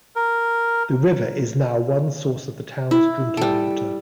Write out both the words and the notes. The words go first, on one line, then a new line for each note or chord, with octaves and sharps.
The river is now one source of the town's drinking water.
A#4
E4
G3 A4